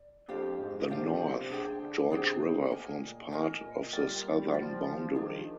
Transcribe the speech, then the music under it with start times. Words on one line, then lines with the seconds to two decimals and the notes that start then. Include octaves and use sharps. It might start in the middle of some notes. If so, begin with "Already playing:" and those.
The North George River forms part of the southern boundary.
Already playing: D5
0.28 F2 D4 G4 C5 F5
0.59 G#2
0.89 A#2 D4 G4 C5 F5
1.20 C3
1.50 D4 G#4 C5 G5
1.80 D3
2.11 C3 D4 G#4 C5 G5
2.41 D3
2.71 A#4 D#5 G#5
3.01 A#2
3.32 A#4 D#5 G#5
3.63 A#2
3.93 G3 F4 A#4 D5 G5
4.23 G3
4.53 F3 F4 A#4 D5 G5
5.14 D#3 D4 G#4 C5